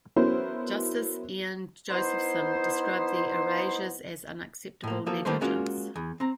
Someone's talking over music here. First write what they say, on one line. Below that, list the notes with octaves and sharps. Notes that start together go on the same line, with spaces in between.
Justice Ian Josephson described the erasures as "unacceptable negligence".
F#3 B3 C#4 E4 A#4 C5
B3 D#4 E4 C5
A2 A#3
F3 A#3 F#4 A4
D#3 G3 A3 A#3 B4 C5
G#3 A#3 C#4 F4 F#4 A#4
E2
C4 A#5